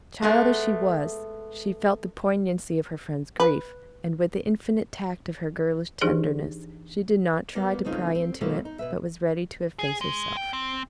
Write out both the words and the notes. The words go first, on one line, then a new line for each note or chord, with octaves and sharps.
Child as she was, she felt the poignancy of her friend's grief, and with the infinite tact of her girlish tenderness, she did not try to pry into it, but was ready to efface herself.
G#3 A3 B3
B4
E3 D4 D#4 G4 G#4 C5
G3 A#3 B3
C#3 A3 C4 D#4 F4
C4
B2 D3 F3 G3 A3 A#3
D#4
B2 B4 E5
G#4
G#3
G5
C4